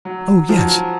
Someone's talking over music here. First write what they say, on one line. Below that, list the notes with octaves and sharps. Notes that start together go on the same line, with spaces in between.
"Oh, yes."
F#3
F3
F#3